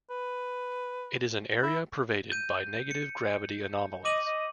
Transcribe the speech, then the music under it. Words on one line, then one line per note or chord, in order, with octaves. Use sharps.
It is an area pervaded by negative gravity anomalies.
B4
E4
G6 D#7
C#7
D#5 D6 D#7 F#7
D#5